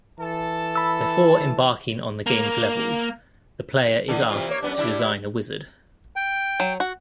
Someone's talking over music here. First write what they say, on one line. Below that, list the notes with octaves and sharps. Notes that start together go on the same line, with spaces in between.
Before embarking on the game's levels, the player is asked to design a wizard.
E3 A4 A5
B5 E6
A#3
D3 E3
C3 E3 F4
A#3 C#5
F#2 B3 D4
G3 D4 E4
E4
G5
F#3
F#4